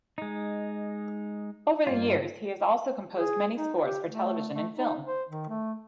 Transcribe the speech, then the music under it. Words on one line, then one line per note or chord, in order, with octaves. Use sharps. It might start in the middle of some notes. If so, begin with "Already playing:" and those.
Over the years he has also composed many scores for television and film.
G#3 D#4
G2 A#3 F4
G#4
D#4
G4
A3
A3
D#4
C5
D#3
A3